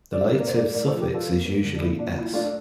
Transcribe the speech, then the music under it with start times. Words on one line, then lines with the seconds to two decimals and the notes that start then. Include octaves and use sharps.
The lative suffix is usually "-s".
0.12 D5
0.21 A#3 C5 E5
0.38 A#3 A#4 D5
0.47 C5
0.56 A#3 A#4 D5
0.74 A2 A#4 D5
0.87 A4 C5
0.92 F3
1.00 G4 A#4
1.09 F3
1.14 F4 A4
1.28 A#3
1.45 A#3
1.63 D3
1.74 D4
1.81 A#2 E4
1.99 A#2 D4
2.16 A#2 E4
2.33 A3 D4 F4
2.44 D4